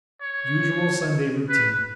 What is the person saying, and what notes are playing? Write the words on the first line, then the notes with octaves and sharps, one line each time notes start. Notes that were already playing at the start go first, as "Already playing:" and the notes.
Usual Sunday routine.
C#5
B4